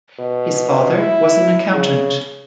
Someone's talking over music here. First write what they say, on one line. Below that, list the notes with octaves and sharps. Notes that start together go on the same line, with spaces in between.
His father was an accountant.
B2
E4
C#3